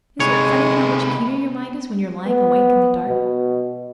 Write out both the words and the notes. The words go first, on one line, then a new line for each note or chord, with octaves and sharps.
Isn't it funny how much keener your mind is when you are lying awake in the dark?
C3 G#3 D#4 C#5 B5
B3
B2